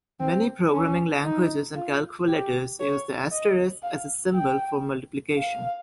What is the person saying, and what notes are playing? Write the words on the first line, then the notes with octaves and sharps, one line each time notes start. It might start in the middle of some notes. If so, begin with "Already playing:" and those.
Many programming languages and calculators use the asterisk as a symbol for multiplication.
C4
C#4
D#4
F4
G4
C#5
D#5
F5
G5
F5